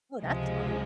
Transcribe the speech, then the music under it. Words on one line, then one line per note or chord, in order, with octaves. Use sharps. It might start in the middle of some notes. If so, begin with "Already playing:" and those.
Oh, that's fun.
C#2 C3 F3 G#3